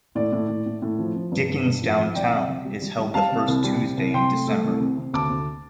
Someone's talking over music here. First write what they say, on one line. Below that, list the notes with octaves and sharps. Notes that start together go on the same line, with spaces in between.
Dickens Downtown is held the first Tuesday in December.
A2 D5
A2
A2
A2
A2
F3
F3
G2
G2
G2
F3
F3
C2 D5 G5
C3
C3
G3
G3
G3
G3 F5 A5
C3
C2
G3
C3
C2
C3 G5 C6
A3
A3
C2
C3
C3
D2 A5 D6
D2